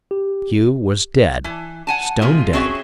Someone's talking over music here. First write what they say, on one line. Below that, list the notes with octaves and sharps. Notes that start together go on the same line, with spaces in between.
Pew was dead, stone dead.
G4
E3
F#5 G#5 A5
C3 G#3 F4
C4 C#4 F#4 G#4 C#5 E5